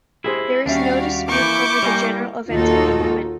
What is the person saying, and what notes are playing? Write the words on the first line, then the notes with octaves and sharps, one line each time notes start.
There is no dispute over the general events of the moment.
G#3 E4 G4 G#4 C5
D#2 G3 C#4 D4 F#4 E5 F5
E3 A#3 E4 C#6 D6 G6
G3 A#3 C#5 G#5
D#2 A#2 D#4 F4 F#4 A4